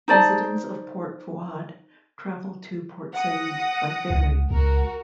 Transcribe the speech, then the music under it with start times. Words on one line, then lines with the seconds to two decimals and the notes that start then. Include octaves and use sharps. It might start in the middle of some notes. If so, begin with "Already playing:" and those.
Residents of Port Fouad travel to Port Said by ferry.
0.08 D#4 C5 D5 A5
3.14 F#5 D#6 A#6
4.10 C#2
4.51 C#2 F#4 A#4